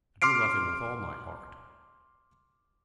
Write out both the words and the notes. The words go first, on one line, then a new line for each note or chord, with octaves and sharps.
I do love him with all my heart.
C6 D6 F6 C7 D7